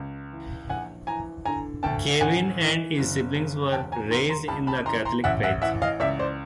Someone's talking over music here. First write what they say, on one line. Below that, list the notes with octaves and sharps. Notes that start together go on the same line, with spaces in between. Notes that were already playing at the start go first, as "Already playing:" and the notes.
Kevin and his siblings were raised in the Catholic faith.
Already playing: C#2
E3
A#1 F#5 G#5
E3 G#5 A#5
D3 G#5 A#5
D2 G5 A5
A1 F#5 G#5
E3
F#1
C#3
E1 G5 A5
G#5 A#5
D#3 A#5 C6
A#5 C6
C#2 A5 B5
A5 B5
E3 A#5 C6
A#5 C6
A1 E5 F#5
E5 F#5
E3 E5 F#5
D#5 F5
C#2 D5 E5
C5 D5